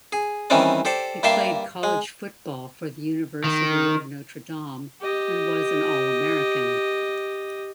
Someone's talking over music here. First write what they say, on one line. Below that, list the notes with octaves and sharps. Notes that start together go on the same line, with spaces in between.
He played college football for the University of Notre Dame, and was an All-American.
G#4
D#3 E3 G3 C4 C#4 D5
G4 A4 C5 D5
G2 A#3 G4 E5 A5 C6
G#3
D#3
G4 D#5